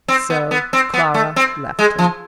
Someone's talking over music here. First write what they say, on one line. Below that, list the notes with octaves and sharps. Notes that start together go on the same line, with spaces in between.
So Clara left him.
C4
B3
B3
C4
B3
A3
C4
G#3
F3